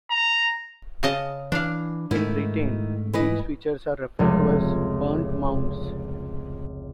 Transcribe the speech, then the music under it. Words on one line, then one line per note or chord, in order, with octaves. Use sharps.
In Britain these features are referred to as 'burnt mounds'.
A#5
C#3 D#5 A5
E3 D4 F5
G#2 D#3 A3 E4
E3 B4 D#5
F1 C#2